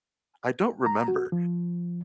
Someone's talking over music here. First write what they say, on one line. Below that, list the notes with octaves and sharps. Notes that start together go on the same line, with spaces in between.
I don't remember.
A#5
F#4
F3